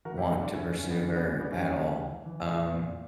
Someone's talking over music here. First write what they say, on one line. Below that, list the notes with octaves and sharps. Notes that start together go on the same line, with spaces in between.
want to pursue her at all, um
E3 F#4 A#4
E4 G4
G2 D4 F#4
G4
D4 F#4
F#2 C#4 E4
C#4
D3 C#4
B3
E3 C#4
B3 D4
G2 C#4
B3 D4
F#2 C#4 E4
C#3
E3
E3
A#2
A#2